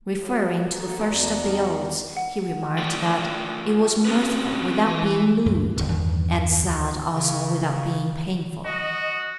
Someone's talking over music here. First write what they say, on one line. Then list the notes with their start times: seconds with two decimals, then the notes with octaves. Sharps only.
Referring to the First of the Odes, he remarked that it was mirthful without being lewd, and sad also without being painful.
0.17 A2 F#4
0.69 G2 F3 A#3 F#4 A4 D#6
1.08 E2 D4 F#5 A#5
1.40 D#3
2.17 F#5
2.78 A3 F4 D5 E5 G5
4.05 C4 C#4 F#4 B4
4.86 E3
5.46 D2 G2 F#3
5.76 F#1 D#2 G#2 B2
5.90 E2 G2 D#3 E3
6.62 D2
7.14 C#3
8.65 F#4 D#5